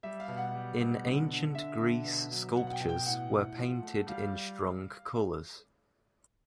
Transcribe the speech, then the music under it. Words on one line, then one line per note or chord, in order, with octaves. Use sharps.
In ancient Greece sculptures were painted in strong colors.
G3 E5
F5
B2
F#5
G3
B2
D3
D3
D3 E5
D3
B2
F#3
B2 F#5
F#5
G5
B2
G5
A2 F#5
A2
F3
A3
G3 F5
G3